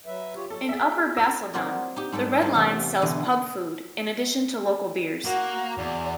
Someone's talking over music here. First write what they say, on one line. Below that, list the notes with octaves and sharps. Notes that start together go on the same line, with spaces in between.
In Upper Basildon, the Red Lion sells pub food in addition to local beers.
F#3 B4 E5
F4 G4 C#5
F#3 A4
B3 G#4 E5
F4
E6 A#6
F#3 A#3 C4 F#4 A#4 D5
D#4 G4
G#2 G3 A4 G5
G3 A#3 C4 A4
E2 C3 C#4 F5
B2 D3 E3 B3 D4 D#5
A#3 F#4
E2 D5